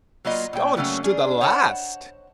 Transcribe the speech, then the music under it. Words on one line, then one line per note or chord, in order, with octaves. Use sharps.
Staunch to the last!
F#3 A#3 F4 D#5
A#2 G5
C#3 F#3 A3 A#3 C#4
C#4 D4 G#4
C5 C#5 D#5 F#5 A5